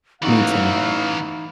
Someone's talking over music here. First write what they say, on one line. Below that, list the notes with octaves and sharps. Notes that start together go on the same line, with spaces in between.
me too.
A1 E3 D#4 F#4 F5